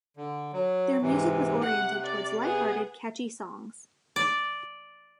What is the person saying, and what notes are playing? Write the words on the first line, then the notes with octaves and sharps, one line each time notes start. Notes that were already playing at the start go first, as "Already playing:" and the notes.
Their music was oriented towards lighthearted, catchy songs.
D3
F#3
G#2 C3 E3
C3 F#5
D5
B3 G#4
D5